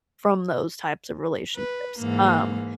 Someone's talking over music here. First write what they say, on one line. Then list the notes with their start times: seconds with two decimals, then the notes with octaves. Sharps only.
from those types of relationships. Um,
1.56 B4
1.99 G#2 E3 A#3